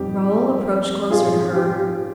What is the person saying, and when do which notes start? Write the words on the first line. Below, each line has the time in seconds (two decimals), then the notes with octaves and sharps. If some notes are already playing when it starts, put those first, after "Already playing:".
Raoul approached closer to her.
Already playing: F2 G3 G4
1.11 F4 G#4
1.55 G4